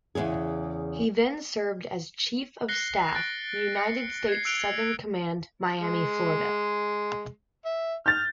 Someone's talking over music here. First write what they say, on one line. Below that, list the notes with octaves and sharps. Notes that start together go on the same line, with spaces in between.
He then served as Chief of Staff, United States Southern Command, Miami, Florida.
E2 A#2 C#3 G#4
F#6 A#6 C7 C#7 G7
F#6 A6 D7
A6 C#7
G#6 C7
E6 F#6 D7 F7 G7
G#3
E5
F6 G6 A6